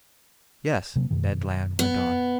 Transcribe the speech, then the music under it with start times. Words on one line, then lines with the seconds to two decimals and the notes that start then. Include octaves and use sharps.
"Yes," Ned Land went on.
0.96 C3 F#3 A#3
1.11 F#2 B2 D#3
1.79 B3